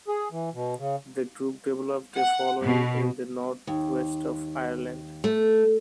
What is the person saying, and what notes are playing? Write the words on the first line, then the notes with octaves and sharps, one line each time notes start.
The group developed a following in the North West of Ireland.
G#4
E3
B2
C#3
F#5
B2
D#2
A3